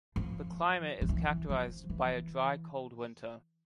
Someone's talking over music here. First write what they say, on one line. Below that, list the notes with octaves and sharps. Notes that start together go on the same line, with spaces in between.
The climate is characterised by a dry cold winter.
F3
D3
E3
F3
E3